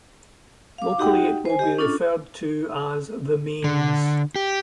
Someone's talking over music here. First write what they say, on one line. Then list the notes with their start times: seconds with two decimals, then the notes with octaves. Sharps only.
Locally, it will be referred to as "the mains".
0.78 F5 D6
0.98 D#4 F#4 G4 D#5 F#5 G5
1.45 C5 G#5
1.59 G4 D#5
1.78 C#4 D4 F4 A4
3.64 D3
4.36 G4